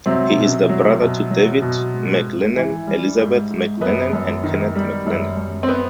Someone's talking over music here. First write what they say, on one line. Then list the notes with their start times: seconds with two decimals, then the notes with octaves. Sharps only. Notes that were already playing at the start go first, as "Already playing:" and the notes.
He is the brother to David MacLennan, Elizabeth MacLennan, and Kenneth MacLennan.
0.06 C3 F#3 C4
0.37 B2
0.69 F#3
1.00 B2
1.31 F#3
1.62 B2
1.93 G#2
2.26 G#2
2.56 E3
2.87 G3
3.19 G#2
3.50 G#2
3.81 F#2 B3
4.13 F#2
4.44 D#3
4.75 G3
5.06 F#2
5.37 F#2
5.63 C4
5.68 B3